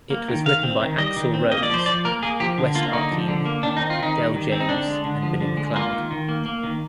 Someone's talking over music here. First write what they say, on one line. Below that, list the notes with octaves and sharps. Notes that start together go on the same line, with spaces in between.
It was written by Axl Rose, West Arkeen, Del James and Billy McCloud.
A#3
D#3
D#3 F5
C4
D#3
G3 D#5
D#3
C4
A#3 D#5
D5
F3 C5
F3 D5
A#3 A#4
A#3 G#4
F3 G4
D3
A#3 F4
D3 D#4
F3
D3
A#3
D#3 D4
D#4
C4
F4
D#3 D#4
G3
D#3
C4
D#4
D3 D4
G#3
D3
F3
D3
G#3
A#3 F4
D#3
D#3
A#3
A#3
D#3